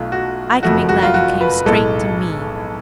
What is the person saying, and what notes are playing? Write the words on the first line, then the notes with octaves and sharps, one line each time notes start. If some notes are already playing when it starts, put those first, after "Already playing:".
I can be glad you came straight to me.
Already playing: B1 B2 A3 F4
F#4
F#1 F2 F3 A3 F#4
F#4
F4
F#4
B4
B1 A2 G#3 A4